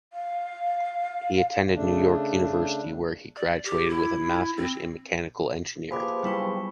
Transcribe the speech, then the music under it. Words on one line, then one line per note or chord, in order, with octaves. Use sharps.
He attended Ney York university where he graduated with a Master in mechanical engineering.
F5
C#3 A3 D4
D5
G4
E4
C4
F3 A#3 G4 G#4 B4 B5 D6
G3 B3 E4 C#6